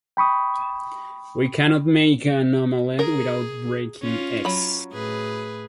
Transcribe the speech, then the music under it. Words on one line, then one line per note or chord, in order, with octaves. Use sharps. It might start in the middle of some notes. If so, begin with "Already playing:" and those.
We cannot make an omelette without breaking eggs.
G5 B5 C#6 D#6
G#4 A#4
C#4 F4
F#3 B5
A2 G#4 B4